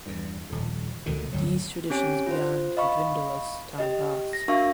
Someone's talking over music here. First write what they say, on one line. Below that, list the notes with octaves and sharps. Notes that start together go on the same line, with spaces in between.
These traditions began to dwindle as time passed.
E2 G2
D#1 F2
C#2 B2 D3 D#3
D1 G1 F#3
C4 C#4 G4 C#5 G#5 D7
F4 C5
D#5 F5 B5 C#6
G4 D#5
A#6
D4 F#4 A#4 E5 F5 C#6